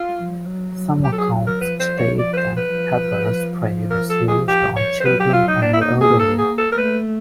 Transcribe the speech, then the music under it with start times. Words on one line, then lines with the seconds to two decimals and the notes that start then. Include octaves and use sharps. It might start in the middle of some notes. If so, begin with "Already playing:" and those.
Some accounts state that pepper spray was used on children and the elderly.
Already playing: F4
0.17 F3
0.46 F#3
0.75 F#3
1.04 F#3 G4
1.12 A4
1.18 G#4
1.47 A#4
1.61 F3 B4
1.80 C5
1.99 C#5
2.18 F3 D5
2.33 B4
2.37 C5
2.57 B4
2.76 F3
3.91 A#4
4.09 A4
4.28 G#4
4.48 G4
4.76 C#5
5.00 C5
5.05 F#3 B4
5.20 G4
5.33 F4
5.48 D#4
5.62 A#3 D4
5.73 E4
5.81 D#4
6.01 G#4
6.19 A4
6.38 G#4
6.58 A4
6.72 A#4
6.77 A3 B4